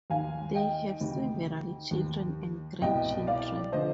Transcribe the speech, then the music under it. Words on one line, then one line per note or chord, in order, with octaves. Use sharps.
They have several children and grand children.
D#2 D#3 F5 G#5
D#5 G5
D2 C3 D#3
D#2 D#3
C2 B2 D#5 G5
D5 F5
D3 F3 C5 D#5